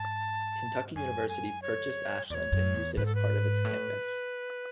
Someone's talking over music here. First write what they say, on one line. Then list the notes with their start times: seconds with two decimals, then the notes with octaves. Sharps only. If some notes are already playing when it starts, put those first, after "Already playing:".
Kentucky University purchased Ashland and used it as part of its campus.
Already playing: G#2 A5
0.95 F#2 G#5
1.29 G#5
1.62 C#5
2.30 E2 D5
2.34 C#5
2.52 F#2
2.74 E2
2.97 G#2 B4
3.06 A4
3.15 B4
3.65 A2